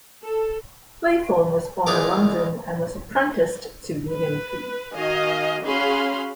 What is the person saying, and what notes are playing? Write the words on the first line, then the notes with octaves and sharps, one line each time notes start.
Faithorne was born in London and was apprenticed to William Peake.
A4
E2 G#3 D#4 F4 A#4 D6
B4
D#3 F#4 D#5 F5 G#5
C#4 F#4 G#4 F5 B5 C6